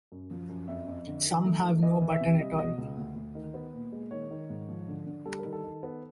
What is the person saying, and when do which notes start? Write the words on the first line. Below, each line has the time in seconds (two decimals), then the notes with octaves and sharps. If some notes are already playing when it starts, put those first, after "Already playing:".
Some have no button at all.
0.12 F#2
0.31 F3
0.49 F#2
0.68 F2 E5
0.88 F2
1.07 D3
1.26 D#3
1.45 A3
1.63 D#3
1.82 E3 D#5
2.02 E3
2.12 E5
2.21 C3
2.40 G3 D#5
2.59 B2 D#5
2.78 C#2
2.98 D2
3.16 D2
3.35 D#3
3.54 B3
3.74 A#2
3.92 G#3
4.11 D#3 C#5
4.31 D#3
4.50 G#2
4.69 F3
4.88 D3
5.06 D3
5.25 G3 A4
5.39 A#4
5.45 D#3
5.53 A4
5.64 D#3
5.83 B3